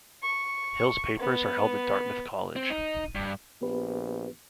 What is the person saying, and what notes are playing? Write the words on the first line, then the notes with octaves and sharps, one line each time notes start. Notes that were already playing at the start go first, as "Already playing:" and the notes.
Hill's papers are held at Dartmouth College.
C#6
B3
C4
D#4
G2
A#1 B3 G4 B4